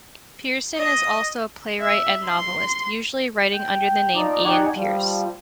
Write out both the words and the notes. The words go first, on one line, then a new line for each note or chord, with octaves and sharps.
Pierson is also a playwright and novelist, usually writing under the name Ian Pierce.
D#5
E5
C6
G5
F3 D#4 D5
D#4 G4 D5 F#5 G#5 C#6
F3 G3